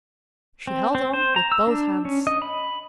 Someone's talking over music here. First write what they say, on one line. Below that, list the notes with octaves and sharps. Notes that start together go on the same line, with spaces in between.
She held on with both hands.
C4
C4
C5
A#5
E6
D4
C#4
D#5
B5